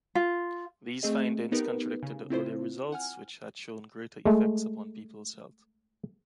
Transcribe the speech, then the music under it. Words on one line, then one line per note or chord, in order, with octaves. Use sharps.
These findings contradicted the earlier results, which had shown greater effects upon people's health.
F4
A3 C4 G#4 D#5
B3 D#4 G4 A#4 B4
C#3
C4 E4 F4 C5
F#5 G#5 F6
G#3 A3